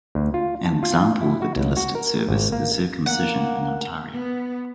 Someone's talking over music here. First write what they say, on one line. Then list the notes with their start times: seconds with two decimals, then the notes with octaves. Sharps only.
An example of a delisted service is circumcision in Ontario.
0.15 D2
0.34 F4
0.66 A5
0.83 F4
1.21 E4
1.42 F#4
1.56 C#2
1.77 F#4
1.95 A#4
2.29 G#1
2.52 A#3
3.06 A#3 F#5
4.11 B3